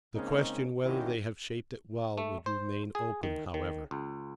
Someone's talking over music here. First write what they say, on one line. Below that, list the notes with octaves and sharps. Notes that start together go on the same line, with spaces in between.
The question whether they have shaped it well would remain open, however.
C#3 G#3 A#3 C4 C#4 D#4
G#1 D#3 C#4 E4 F#4 G4
A3
C5
G#4
D#3
D#3
C#2